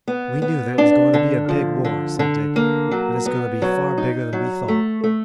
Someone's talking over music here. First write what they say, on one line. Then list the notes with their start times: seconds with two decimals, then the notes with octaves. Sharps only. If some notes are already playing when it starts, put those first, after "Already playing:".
"We knew that it was going to be a big war," said Dick, "but it's going to be far bigger than we thought."
0.08 B3
0.42 B3
0.78 D4
1.14 D3
1.49 F3
1.85 D3
2.19 D3
2.56 A#3
2.91 F#3
3.26 B3
3.62 F#3
3.98 D#4
4.33 F#3
4.68 A3
5.04 A3